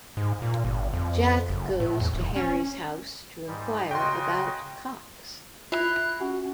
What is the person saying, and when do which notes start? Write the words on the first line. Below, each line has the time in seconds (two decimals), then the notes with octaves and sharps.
Jack goes to Harry's house to inquire about Cox.
0.17 G#2
0.42 A#2
0.64 G1
0.94 F2
1.49 F#1
1.80 A2
2.00 E2
2.14 D#1
2.36 C#4
3.47 G#2 G3
3.91 C#3 F#4 D#5 G5 C6
5.72 E4 F4 F#6
6.21 C#4 F#4